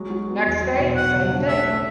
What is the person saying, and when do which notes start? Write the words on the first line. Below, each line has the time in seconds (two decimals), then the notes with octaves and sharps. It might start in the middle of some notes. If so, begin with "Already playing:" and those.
Next day, same thing.
Already playing: F#3 G#3
0.10 F#4
0.28 B3
0.45 E2
0.63 F#3
0.80 B2
0.96 B3 F#5
1.14 C#3
1.31 D4
1.48 A3 E5
1.66 A3